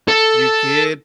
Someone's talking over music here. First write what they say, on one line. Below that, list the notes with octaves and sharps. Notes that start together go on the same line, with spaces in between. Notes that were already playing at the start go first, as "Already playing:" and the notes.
you could
A4